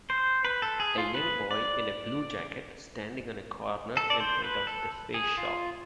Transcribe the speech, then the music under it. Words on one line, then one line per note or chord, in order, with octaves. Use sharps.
A young boy in a blue jacket standing on a corner in front of THEFACESHOP.
C5
B4
A4
G#4
F4
B4
D5
A4
D5
C5
B4
A4
G#4
F4